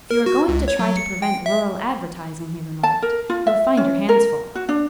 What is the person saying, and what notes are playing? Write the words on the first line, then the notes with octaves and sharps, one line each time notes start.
"If you are going to try to prevent rural advertising," he remarked, "you'll find your hands full."
A#4
F#4
C#2
C#5
F#3
C#7
G5
E5
A5
A#4
F4
E5
C#4
A#4
F#4
D4